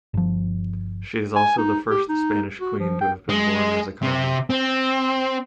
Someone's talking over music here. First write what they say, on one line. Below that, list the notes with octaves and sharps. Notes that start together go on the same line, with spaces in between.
She is also the first Spanish queen to have been born as a commoner.
G1 F3
G#5
D#4
G4
D#4
F#4
F3
G5
G#3
C3
C4